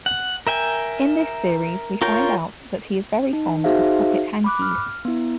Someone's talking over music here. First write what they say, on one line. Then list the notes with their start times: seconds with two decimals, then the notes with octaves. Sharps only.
In this series we find out that he is very fond of pocket hankies.
0.06 F#5
0.47 A#4 E5 G5 G#5
2.02 F4 A#4 C#5 G5
3.33 D#4
3.64 D#4 F#4 G#4 C5 E5 F5
4.44 B5 D6 F#6
4.62 F6
5.05 B3 E4